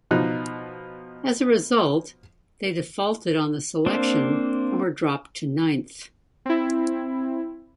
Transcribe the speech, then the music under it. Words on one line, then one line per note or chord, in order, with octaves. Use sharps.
As a result, they defaulted on the selection and were dropped to ninth.
B2 F3 D#4 F#6
A#3 C4 D4 C5
C4 E4